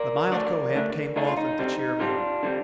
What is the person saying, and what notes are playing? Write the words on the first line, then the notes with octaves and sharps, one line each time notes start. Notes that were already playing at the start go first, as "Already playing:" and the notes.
The mild Kohen came often to cheer me.
Already playing: A#4 D5
D3 A3 D4 A#4 D5
D3 A3 D4
D3 A3 D4 D#4
F4
D#4
D3 G3 C4
D3 G3 C4 D4 F4
D3 G3 C4